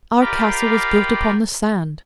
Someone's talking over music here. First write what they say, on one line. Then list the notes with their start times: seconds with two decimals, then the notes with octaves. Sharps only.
Our castle was built upon the sand.
0.20 F4 G4 A#4 D5 F5 B5